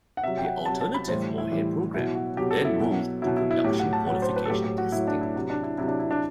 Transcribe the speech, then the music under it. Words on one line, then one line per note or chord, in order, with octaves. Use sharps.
The Alternative Warhead Program then moved to production qualification testing.
F#5
C3 F#3 E5
G5
F#5
C3 F#3 A5
A5
B5
A2 E3 G3 C5
E4
A2 E3 G3
B2 F#3 E4
F#4
B2 F#3 G4
A4
E4
B2 F#3
B2 F#3 E4
E4
E4
A2 F#3 G4
F#5
A5
A2 F#3 F#5
C5
B4
A4
A2 F#3 G4
G4
F#4
A2 F#3 E4
D4
E4
C3 F#3
D4
E4
C3 F#3 E4
D4
E4
D4